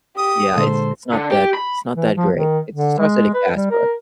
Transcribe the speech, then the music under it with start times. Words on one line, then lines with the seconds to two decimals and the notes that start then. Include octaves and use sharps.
Yeah. It's it's not that it's not that great. It stars Eddie Cass, but
0.17 G4 D#6
0.56 A#2 D3 G#3 A4 C5
1.13 D3
1.31 G4
1.54 B5
1.95 E3
2.17 F3
2.34 D#3
2.75 D3
2.99 G#3
3.34 B4
3.55 G3
3.71 A#4